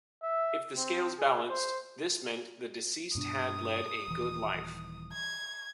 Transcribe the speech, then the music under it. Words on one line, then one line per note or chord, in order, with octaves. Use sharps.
If the scales balanced, this meant the deceased had led a good life.
E5
C4
G#4
C5
G2 B2 D4 D#6
D#1 E3
G#6